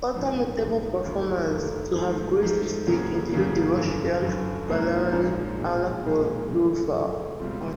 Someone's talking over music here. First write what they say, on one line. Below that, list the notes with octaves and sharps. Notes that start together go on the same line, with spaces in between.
Other notable performers to have graced its stage include the Russian ballerina Anna Pavlova.
A#1 G#2 F3
A#1 G#2 F3
F1 D#2 D3 F3 A3
F1 D#2 D3 F3 A3
G#2 F3 A3
G#2 F3 A3
F1 F2 C#3 F#3 A#3
F1 F2 C#3 F#3 A#3
G1 F#2 D3
G1 F#2 D3
A#1 G#2 F3 A#3 C#4
A#1 G#2 F3 A#3 C#4
B1 A#2 F3 G#3
B1 A#2 F3 G#3
F#2 C#3 F3 A3
F#2 C#3 F3 A3
C#2 B2 G3 C4 F4